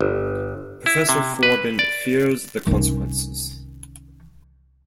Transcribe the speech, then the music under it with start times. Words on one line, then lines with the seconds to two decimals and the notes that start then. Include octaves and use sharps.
Professor Forbin fears the consequences.
0.01 G1
0.86 E4
1.09 C3
1.43 B4
1.79 D5
2.67 C2 D#3 C#4